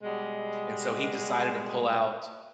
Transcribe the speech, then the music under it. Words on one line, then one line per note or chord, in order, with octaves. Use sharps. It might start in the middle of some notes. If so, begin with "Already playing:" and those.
and so, he decided to pull out
B2 G3 G#3